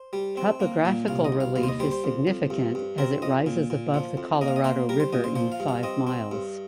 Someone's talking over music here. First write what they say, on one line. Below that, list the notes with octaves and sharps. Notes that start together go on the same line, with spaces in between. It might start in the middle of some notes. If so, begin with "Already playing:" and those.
Topographic relief is significant as it rises above the Colorado River in five miles.
Already playing: C5
G3
C4
A#3
A#2
C2 F5
D#5
C2
F5
D#2 F5
C5
D#5
G3 C5
C5
F2
F2
G2
G2
C4 A#4
F2 D#5
A#2
A#2
F3
F2
A#3 D#5
F5
D#5
A#3 C5
G3 A#4
C5
A#2 D#5
C5
F3 C5
F5
G2
F5
C4 D#5
C4
G2